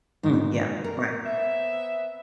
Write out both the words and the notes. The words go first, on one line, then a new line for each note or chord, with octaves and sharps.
Mm, yeah. Right.
G#2
A#4
B3 C4 E5